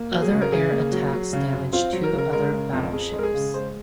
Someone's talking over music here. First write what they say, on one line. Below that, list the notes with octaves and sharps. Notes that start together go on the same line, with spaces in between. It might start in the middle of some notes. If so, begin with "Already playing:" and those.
Other air attacks damage two other battleships.
Already playing: A#3
F#3
G#4
C#3
A#4
C#3 G#4
A#3
F#3
F#3
C#3
F#2
C4 F4
F#3
A#4
C#3
A#4
G#3 A#4
C#3
F2
F2 G#4
G#3
A#4
G#4
C#3
G#3 C5